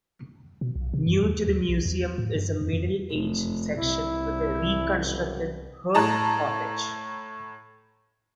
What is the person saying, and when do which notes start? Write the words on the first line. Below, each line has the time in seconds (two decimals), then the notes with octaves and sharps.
New to the museum is a middle ages section with a reconstructed hearth cottage.
0.61 B2
0.76 B1
0.94 C3
1.06 F#2
1.23 E2
1.47 D#2
1.69 B1
1.85 E2
2.18 A2
2.35 G2
2.61 F2
2.73 F2
3.10 F1
3.78 C2 E4
4.98 F#1
5.95 A2 A5 A#5